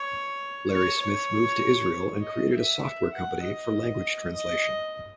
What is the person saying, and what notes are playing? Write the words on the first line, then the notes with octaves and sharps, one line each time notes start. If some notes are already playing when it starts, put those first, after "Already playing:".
Larry Smith moved to Israel and created a software company for language translation.
Already playing: C#5
C#5
C#5
D#5
E5
F#5
D#5
D#5